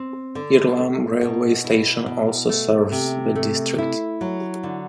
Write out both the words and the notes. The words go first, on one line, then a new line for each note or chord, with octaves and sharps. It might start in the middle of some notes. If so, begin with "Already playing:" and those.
Irlam railway station also serves the district.
Already playing: C4
D3
A3
B2
E4
B2
A3
C3
A3
E4
F#3
D3